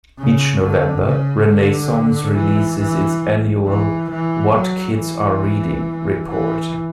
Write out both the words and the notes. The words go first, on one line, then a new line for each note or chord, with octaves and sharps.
Each November, Renaissance releases its annual "What Kids Are Reading" report.
C#3
D3
C#3
D3
E3
E3
E3
E3
F#3
E3
E3